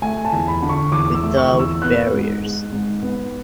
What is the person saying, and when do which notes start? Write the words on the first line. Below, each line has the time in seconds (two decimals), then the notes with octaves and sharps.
Without barriers.
0.02 A3 G#5
0.25 A5
0.33 E2
0.48 B5
0.62 D3
0.69 C#6
0.92 E2 D6
1.14 E6
1.23 A3
1.37 C#6
1.53 E2
1.59 E6
1.82 B3 F#6
2.12 G#2
2.42 G#3
2.72 G#2
3.02 B3